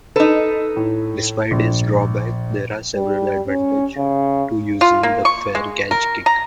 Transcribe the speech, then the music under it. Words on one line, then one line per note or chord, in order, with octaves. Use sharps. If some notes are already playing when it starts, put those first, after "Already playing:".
Despite its drawbacks, there are several advantages to using the fair catch kick.
D#4 A4 B4
A2
A#1
G3
C#4
C#3
F4
A#3
C#6
G#3
A#4
A#5